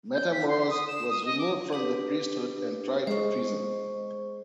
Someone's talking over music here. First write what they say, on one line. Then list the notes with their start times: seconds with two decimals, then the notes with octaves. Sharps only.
Matamoros was removed from the priesthood and tried for treason.
0.14 G6
0.32 B6
0.48 C6
0.70 D#6
0.88 E7
1.10 D#6
1.25 D#5
1.39 D6
1.73 D4 G4 B4
3.07 G#3 C5 C#6